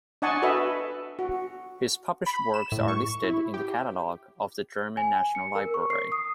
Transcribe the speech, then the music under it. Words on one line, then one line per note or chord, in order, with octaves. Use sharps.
His published works are listed in the Catalog of the German National Library.
D4 D#5 F#5 G#5 A5 C#6
F#4 A4 B4 D#5 E5
F#4
B5
E7
A2
C#6
E4
G4
G#5
C#7
A#4
C#6
C7
D#6